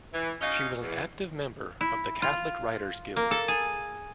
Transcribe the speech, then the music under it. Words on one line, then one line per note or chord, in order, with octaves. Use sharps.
She was an active member of the "Catholic Writers Guild".
E3
C#4 D#4 F#4 D#5 F5
E2
E4
F4
A#3
A4
G#4